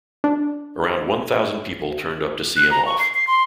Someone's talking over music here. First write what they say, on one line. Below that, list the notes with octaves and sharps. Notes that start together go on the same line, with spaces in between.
Around one thousand people turned up to see him off.
D4
F#6
A#5
C#6
C7
C7
C6